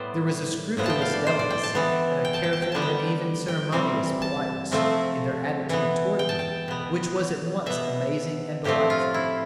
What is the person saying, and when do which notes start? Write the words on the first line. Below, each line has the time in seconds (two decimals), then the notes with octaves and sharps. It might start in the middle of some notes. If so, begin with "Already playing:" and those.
There was a scrupulous delicacy and a careful and even ceremonious politeness in their attitude toward me which was at once amazing and delightful.
Already playing: A2 G3 B3 C5 D5
0.77 A2 F3 B3
0.86 G5 A5
1.02 F5
1.13 D5
1.27 C5
1.39 D5
1.50 G5
1.63 A5
1.75 E3 B3
2.25 G5
2.34 A5
2.43 G5
2.53 A5
2.62 G5
2.72 D3 G3 B3 A5
2.82 G5
3.48 G5
3.72 C3 E3 G3 C4
4.22 A5
4.71 C3 F3 A3 C4
5.69 E3 B3
6.19 G5
6.29 A5
6.39 G5
6.68 B2 B3
7.66 B2 B3 E5
8.64 A2 F3 A3 C4 G4
8.90 F4
9.14 E4